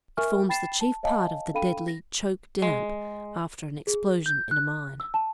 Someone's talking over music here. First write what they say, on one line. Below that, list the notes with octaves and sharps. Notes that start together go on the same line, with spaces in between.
It forms the chief part of the deadly 'choke damp' after an explosion in a mine.
A#4 E5 G#5 C#6 F6
G5 B5 A6 C7 E7
A5
C#5 D#5 F5 G#5 A5
D4 A4 F5 G5 B5 D#7
A#6
G#3
G#4
G6
F#6
E6
A5